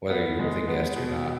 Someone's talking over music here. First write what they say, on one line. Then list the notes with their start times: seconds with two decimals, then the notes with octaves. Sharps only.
whether you're with a guest or not.
0.10 B3
0.39 G#3
0.68 B3
0.96 B2